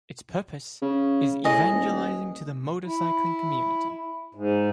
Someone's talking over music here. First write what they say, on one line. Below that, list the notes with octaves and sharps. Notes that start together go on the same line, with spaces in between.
Its purpose is evangelizing to the motorcycling community.
C#3
A2 G#4 D#5
D#1
E4
G#2